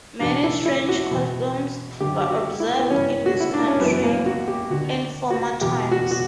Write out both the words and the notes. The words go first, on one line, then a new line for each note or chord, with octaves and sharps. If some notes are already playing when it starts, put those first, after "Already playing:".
Many strange customs were observed in this country in former times.
E2 B2 D4
E4
E4
F#4
E2 B2
F#2 D3 G4
G4
F#4
E4
B3
G2 E3 C#4
F#4
E4
D4
C#4
F#2 E3 B3
A#3
F#4
G4
D2 D3 F#4
F#4
E2 B2 G4
F#4
F#4